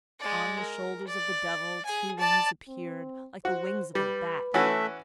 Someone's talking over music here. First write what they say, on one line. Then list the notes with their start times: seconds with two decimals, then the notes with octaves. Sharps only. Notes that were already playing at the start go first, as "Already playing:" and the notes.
On the shoulders of the devil two wings appeared, like the wings of a bat.
0.20 G#3 D5
0.60 A#4
1.08 D5
1.85 G#4 G#5
2.19 D5 A5
2.68 C4
3.45 F#4 C5
3.95 G3 B4
4.54 E3 A3 C#4 F#4 E5